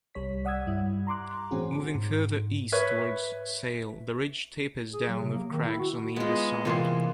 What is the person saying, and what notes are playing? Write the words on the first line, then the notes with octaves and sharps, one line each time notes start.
Moving further east towards Sail, the ridge tapers down with crags on either side.
C2 G3 C#5 B6
D5 F#5 D#6 E6 G#6
G2 G3 E4
A#5 C6 D6 F#6
A2 E3 C4 C#4 F#4 G#4
G#2
B4 C#5 E5
G#4
F#3
C3
A#3
D#3
E4
F#4
G#3 B3 F4
C3 E3 A#3 F4 C6